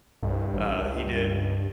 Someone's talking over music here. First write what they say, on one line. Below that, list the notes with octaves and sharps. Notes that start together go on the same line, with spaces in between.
Uh, he did.
C2 G2
A1
C#2